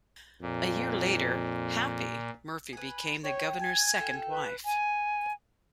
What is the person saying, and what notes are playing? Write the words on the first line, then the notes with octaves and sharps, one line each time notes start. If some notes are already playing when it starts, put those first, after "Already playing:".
A year later, "Happy" Murphy became the governor's second wife.
F2 A#2
G#4 B4
C#5 G5
G#5 G#6
F4 A4 G5
B4
G#5